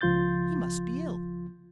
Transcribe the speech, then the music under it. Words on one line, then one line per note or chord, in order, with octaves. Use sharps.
He must be ill.
C#2 F3 F4 C6 G6 A6